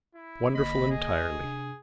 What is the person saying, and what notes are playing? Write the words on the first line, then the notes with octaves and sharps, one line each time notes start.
Wonderful entirely.
E4
G1 D3 A#3 D#5 B5
G#4
C3 D4